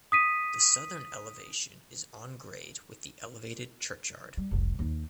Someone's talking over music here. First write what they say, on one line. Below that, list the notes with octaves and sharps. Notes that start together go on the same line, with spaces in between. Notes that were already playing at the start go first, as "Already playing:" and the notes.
The southern elevation is on grade with the elevated churchyard.
D#6 B6 D#7
G3
F1 C2
D#2 D#4